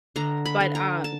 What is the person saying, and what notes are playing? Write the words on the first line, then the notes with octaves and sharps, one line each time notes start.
But, um,
D3 A#5
B5
D3
A#5
A5